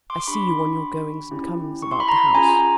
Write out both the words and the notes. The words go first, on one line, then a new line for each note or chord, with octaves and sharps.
I see you on your goings and comings about the house.
C6 D6
D6
D4 G4 B5 C#6
C#4 E4 G4
C#6
C6
B5
A#5 C6
C#4 F4 G#4 G#5 A#5